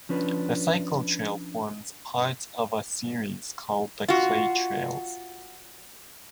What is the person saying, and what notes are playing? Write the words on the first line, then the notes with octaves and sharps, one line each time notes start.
The cycle trail forms part of a series called the Clay Trails.
F3 C#4 D4 B4
F4 F#4